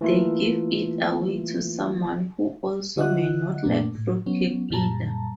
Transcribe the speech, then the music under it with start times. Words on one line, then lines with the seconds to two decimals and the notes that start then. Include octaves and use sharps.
They give it away to someone who also may not like fruitcake either.
0.01 E3 A3 A#3 E4 F4
2.96 D3 F4 D#5 E5 F#5 F#6
3.63 F#2 A#2 A3 A#3 D4
3.95 A2
4.26 F#3 B3 C#4
4.70 F#2 A#2 G3 A5 A#5